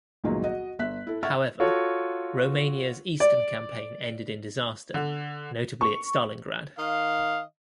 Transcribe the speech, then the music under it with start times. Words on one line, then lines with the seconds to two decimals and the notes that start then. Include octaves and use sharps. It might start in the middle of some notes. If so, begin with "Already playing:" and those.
However, Romania's eastern campaign ended in disaster, notably at Stalingrad.
0.24 G1 C#2 A#2 D#3 F#3
0.43 F#4 D#5
0.79 G1 E5 F#6 B6
1.07 E4 A4
1.23 E5 F#5 C#6 F6 G#6 A6
1.60 F4 F#4 A4 C#5
3.20 D5
4.94 D3
5.81 C#6
6.79 D#3 D#5 F5